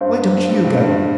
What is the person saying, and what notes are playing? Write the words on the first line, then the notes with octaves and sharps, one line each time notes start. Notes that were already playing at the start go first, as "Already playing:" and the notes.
Why don't you go?
G2 C5 F5
G2
G2
G2
G2
G2